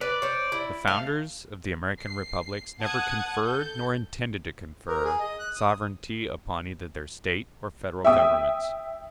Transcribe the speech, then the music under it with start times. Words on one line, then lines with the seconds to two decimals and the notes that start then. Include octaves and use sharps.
The founders of the American republics never conferred, nor intended to confer, sovereignty upon either their State or Federal Governments.
0.01 B4 D5
0.22 C5 C#5
0.52 E4
0.88 A3 F5
2.00 C7
2.80 F#5 A5 D#6 F#6 G#6
3.42 A4 G6
4.88 A#4
5.04 G#4
5.19 D#5
5.39 F#6
5.56 D#6
8.05 E5 G5 D#6